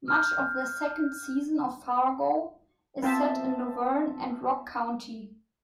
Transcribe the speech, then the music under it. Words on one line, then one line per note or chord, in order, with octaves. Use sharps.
Much of the second season of "Fargo" is set in Luverne and Rock County.
F6 G6
B3 C4 F4 C5 E5 A5